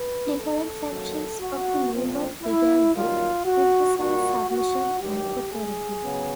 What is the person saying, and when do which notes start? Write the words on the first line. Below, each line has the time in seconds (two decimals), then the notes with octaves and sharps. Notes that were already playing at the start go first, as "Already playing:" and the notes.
Different factions of the movement began to emphasise submission and authority.
Already playing: B4
0.37 A4
0.89 F#2 D#3 F#3 A#3
1.41 F#4
1.93 A#2 F3 A3 C4
2.43 E4
2.95 F#2 D#3 G3 A#3 F4
3.46 F#4
3.98 A#2 G3 A#3 F#4
4.50 F#4
5.00 G2 D#3 F#3 G4
5.53 G#4
6.03 C#3 F#3 B3